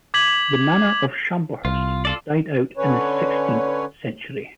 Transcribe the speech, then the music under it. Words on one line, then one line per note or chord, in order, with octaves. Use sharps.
The Manor of Shamblehurst died out in the sixteenth century.
D6 G#6 B6 F#7
C2 F4
F4 A4 D5
D3 C#4 B4 C#5